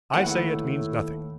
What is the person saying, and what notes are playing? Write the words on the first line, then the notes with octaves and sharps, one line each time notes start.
'I say it means nothing.
D#2 A2 A3 B4 F#5